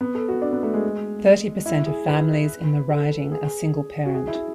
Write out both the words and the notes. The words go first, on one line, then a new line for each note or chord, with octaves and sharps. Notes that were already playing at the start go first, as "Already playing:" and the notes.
Thirty per cent of families in the riding are single-parent.
B3
A4
F#4
D4
B3
A3
G#3
E4
G#4
B4
A4
G#4
F#4
G#4
E4